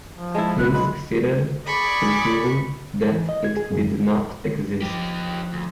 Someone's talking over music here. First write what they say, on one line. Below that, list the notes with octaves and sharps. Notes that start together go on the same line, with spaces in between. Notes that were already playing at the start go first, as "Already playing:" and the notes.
He succeeded in proving that it did not exist.
F3
G#3 E4 A5
B1 C#3 C4 B4 F#6
B2 D3 F#3 G#3 B5
G#4 D5 B5 C#6
E3
D#5
G#6
G#4
F#2
F3 D#4 G4
D2